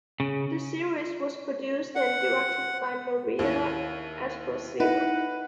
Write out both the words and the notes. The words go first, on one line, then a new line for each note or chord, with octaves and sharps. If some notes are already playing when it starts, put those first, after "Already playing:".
The series was produced and directed by Maria Esposito.
C#3
F#5
D#2 E4
D#4 E4 B4 F#5